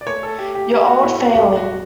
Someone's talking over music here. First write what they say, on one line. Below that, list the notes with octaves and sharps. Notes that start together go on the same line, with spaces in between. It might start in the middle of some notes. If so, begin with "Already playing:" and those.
Your old failing.
D5
A3 C#5
A4
A3 G4
G4
A3 G4
F#4
A2 E4
F#4
E1 G4
F#4